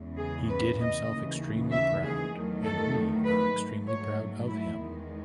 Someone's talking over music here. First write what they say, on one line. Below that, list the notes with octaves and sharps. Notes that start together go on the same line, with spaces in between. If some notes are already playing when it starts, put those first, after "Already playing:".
He did himself extremely proud and we are extremely proud of him.
Already playing: E2 C#3 E3 G#3
G#4
B4
D#5
D#2 C#3 E3 G#3
E5
G#4
E2 D#3 F#3 A3
A4
B4
G#2 F#3 A3
C#5
E4
E2 D#3 G#3